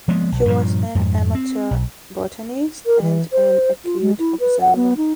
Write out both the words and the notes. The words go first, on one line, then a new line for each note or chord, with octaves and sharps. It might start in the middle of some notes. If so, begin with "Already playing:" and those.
She was an amateur botanist and an acute observer.
F3 G#3 A#3 B3
B1
G2 A#2 F3
F2 G#2
C4
B1
A#4
E3
C5
F4
G#3
E4
B4
F#5
B3
D#4